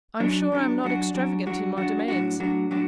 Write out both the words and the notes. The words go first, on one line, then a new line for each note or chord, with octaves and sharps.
I am sure I am not extravagant in my demands.
F#2 F#3 D4
F#2 F#3 D4
F#2 F#3 D4 F#4
F#2 F#3 D4 F#4
F#2 F#3 D4 F#4
F#2 F#3 D4 F#4
A2 F#3 D4 F#4
A2 F#3 D4 F#4
A2 F#3 D4 F#4